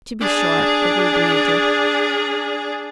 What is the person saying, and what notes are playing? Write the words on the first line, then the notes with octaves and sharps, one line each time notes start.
"To be sure," agreed the Major.
D4 G#4